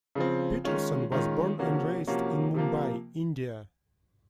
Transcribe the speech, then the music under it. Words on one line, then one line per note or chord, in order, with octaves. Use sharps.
Peterson was born and raised in Mumbai, India.
C#3 F3 C4
D#3 G#3 C#4 F4
D#3 G#3 C#4 F4
C3 F3 A#3 C#4 F#4
C3 F3 A#3 C#4 F#4
C3 F3 A#3